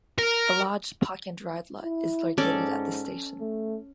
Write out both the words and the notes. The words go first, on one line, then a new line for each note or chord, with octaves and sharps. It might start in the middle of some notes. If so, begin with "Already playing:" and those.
A large park and ride lot is located at this station.
A#4
E4
G#2 C#4 A4 D5
A3